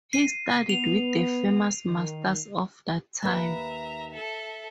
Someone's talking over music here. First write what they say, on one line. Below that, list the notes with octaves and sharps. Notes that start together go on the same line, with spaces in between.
He studied with the famous masters of that time.
C7 D#7
B3 F7
D#3
D#2 B4 E5 A#5
A4 E5